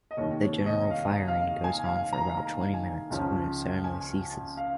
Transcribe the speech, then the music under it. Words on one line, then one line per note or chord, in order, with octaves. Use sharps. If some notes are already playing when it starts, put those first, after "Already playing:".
A general firing goes on for about twenty minutes, when it suddenly ceases.
D#5
F1 D#2 D#3 C#5
C#5
D#5
F5
F5
G#5
F5
G#5
A#5
A#5
G#5
C#2 C#3 F3 C#4
G#5
F5